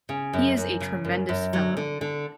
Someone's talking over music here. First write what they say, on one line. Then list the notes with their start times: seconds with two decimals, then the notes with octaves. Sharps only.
He is a tremendous fellow.
0.09 C#3
0.33 F#2
0.57 F#2
0.80 C#3
1.05 F#2
1.29 F#2
1.53 F#3
1.77 D3
2.01 D3